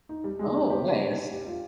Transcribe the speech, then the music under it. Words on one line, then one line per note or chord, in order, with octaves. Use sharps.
Oh, nice.
D#4
G3
G#3
G4
G4
G4
F4